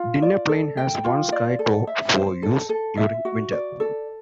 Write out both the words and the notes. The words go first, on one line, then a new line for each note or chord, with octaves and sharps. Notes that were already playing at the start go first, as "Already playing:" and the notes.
Dinner Plain has one ski tow for use during winter.
Already playing: F4
D5
A4
G5
F4
D5
A4
E5
C5
A4
A4
E5
F#4
D5
A4